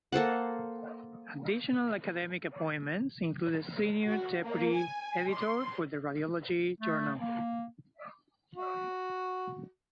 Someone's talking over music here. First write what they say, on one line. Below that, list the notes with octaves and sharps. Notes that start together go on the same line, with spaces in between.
Additional academic appointments include the senior deputy editor for the Radiology journal.
A#3 A4 C5 F#5
F#4
A#3
G#5
C6
A3
A#3
F#4